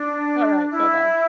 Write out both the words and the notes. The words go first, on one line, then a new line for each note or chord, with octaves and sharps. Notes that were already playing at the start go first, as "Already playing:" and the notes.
Alright. Bye-bye.
Already playing: D4
E4